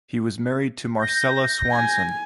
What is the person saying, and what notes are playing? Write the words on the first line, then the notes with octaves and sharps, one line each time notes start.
He was married to Marcella Swanson.
G6 A#6
G#5